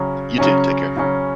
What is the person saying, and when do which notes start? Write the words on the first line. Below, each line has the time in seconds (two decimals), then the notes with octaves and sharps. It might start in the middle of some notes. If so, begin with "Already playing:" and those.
You too, take care.
Already playing: C#3 F#3 C#4
0.38 C#3 F#3 C#4
0.96 C#3 F#3 C#4